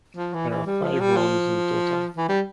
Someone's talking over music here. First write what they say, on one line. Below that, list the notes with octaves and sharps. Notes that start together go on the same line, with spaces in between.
There are five rounds in total.
F3
E3
E3
G3
F3
G3
F3
E3
G3